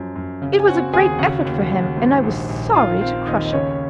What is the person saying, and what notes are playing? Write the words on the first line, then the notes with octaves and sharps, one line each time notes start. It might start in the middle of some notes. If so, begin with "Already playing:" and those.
It was a great effort--for him--and I was sorry to crush it.
Already playing: F#2 F3
F#2
C#3
G#5
C4 F#4 F#5
D#2 G#4 G#5
C#3 F#4 F#5
D#2
D#2
G#2
A#1
A#1
D#3 F4 F5
C4 F4 F5
D#2 D#4 D#5
D#5
C#3 C#4 C#5